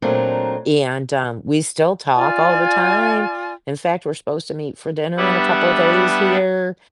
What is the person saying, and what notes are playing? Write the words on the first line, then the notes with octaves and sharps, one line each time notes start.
And, um, we still talk all the time. In fact, we're supposed to meet for dinner in a couple of days here,
A#2 F#3 A3 C4 D4 A#4
F4 D5 G#5
G3 B3 D4 B4 E5 F#5